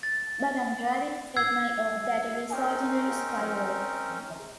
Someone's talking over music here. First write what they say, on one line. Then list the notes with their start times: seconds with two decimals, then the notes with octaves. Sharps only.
But I am ready to take my oath that it is ordinary spy work.
0.03 A6
1.37 E6 G#6 C7
2.52 C4 C#4 D#4 A#4